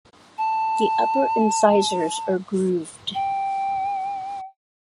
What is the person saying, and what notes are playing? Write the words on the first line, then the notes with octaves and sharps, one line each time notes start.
The upper incisors are grooved.
A5
G5